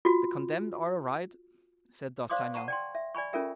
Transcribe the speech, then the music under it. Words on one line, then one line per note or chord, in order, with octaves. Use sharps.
"The condemned are arrived," said D'Artagnan.
F4 F#4
C5 D5 F5 C6 D6 D#6
F#5 A5 A#5 C#6
D5 G5 C6
E5
D5 G#5 B5 C#6
C#4 F4 A4 A#4 E5 G5